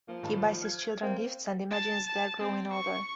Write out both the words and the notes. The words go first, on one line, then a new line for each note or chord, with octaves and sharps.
He buys his children gifts and imagines their growing older.
F3 A#3
A2 D#3 A5
F6 G#6
A#3 C4
A5
A5
C4
C#6